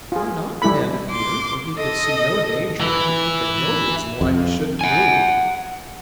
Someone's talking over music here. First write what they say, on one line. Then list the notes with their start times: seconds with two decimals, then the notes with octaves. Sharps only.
"Why not?" demanded Peter, for he could see no danger and could think of no reason why he shouldn't move.
0.12 F4 G#4
0.62 G3 E4 A4 B5
1.10 C6 D6
1.75 A4 D#5
2.80 E3 E4
4.21 F2
4.81 F#5 G#5